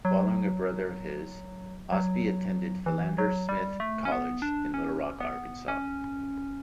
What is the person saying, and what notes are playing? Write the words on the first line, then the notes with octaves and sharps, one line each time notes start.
Following a brother of his, Ausbie attended Philander Smith College in Little Rock, Arkansas.
F#3
F#3
E3
F#3
G3
A3
C#4
B3
D4
C#4
B3
C#4